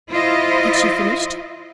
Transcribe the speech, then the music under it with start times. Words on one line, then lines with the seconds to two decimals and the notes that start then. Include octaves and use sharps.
Had she finished?
0.11 E4 F4 C5 D#5